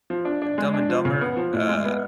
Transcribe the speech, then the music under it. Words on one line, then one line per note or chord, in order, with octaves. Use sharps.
Dumb and Dumber? Uh
F3
D4
D4
G#3
D4
F3
C#3
B3
F3
A2
G#3
B3